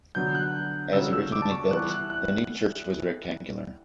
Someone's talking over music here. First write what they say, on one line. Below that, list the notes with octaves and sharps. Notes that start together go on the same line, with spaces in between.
As originally built, the new church was rectangular.
D3 F#3 B3 D4 G6
F#6
C#3 G3 C#4 F#4 A4 E6
E6
D6
A5
C#6
E3 G3 B3 E4 F#6
F#6
F#6